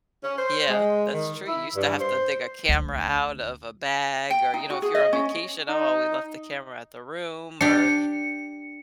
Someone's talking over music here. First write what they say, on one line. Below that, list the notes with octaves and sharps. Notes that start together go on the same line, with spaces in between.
Yeah, that's true, you used to have to dig a camera out of a bag, or, you know, if you're on vacation, "Oh, well we left the camera at the room," or,
C#4
C5
G#3
D#3
E4
G2
C5
D2
G5
D#4
F#4
G#4
D#5
C#4
D#4
D4 G4 C#7